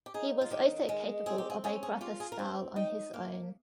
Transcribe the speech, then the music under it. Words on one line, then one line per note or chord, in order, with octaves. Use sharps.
He was also capable of a gruffer style on his own.
G4
D#4 G#4
F4
D#3 G4
G#3 F4
C4 G#4
G4
G#4
C#4 G#4
G#4
F4 G4
G#4
A#4
C4 C5
D#4 G5
A#3 F5